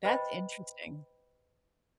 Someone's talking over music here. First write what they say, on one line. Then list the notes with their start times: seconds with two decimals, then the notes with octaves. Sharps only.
That's interesting.
0.05 B4 C5 D#5 G5 B5